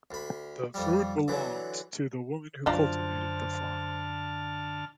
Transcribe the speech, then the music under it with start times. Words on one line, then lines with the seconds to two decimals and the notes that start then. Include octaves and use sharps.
The food belonged to the woman who cultivated the farm.
0.11 D2 B5
0.74 F2 G3
1.28 D3 E3 F#3
2.66 F#2 D3 F3 D4 C5 A5 A#5 F6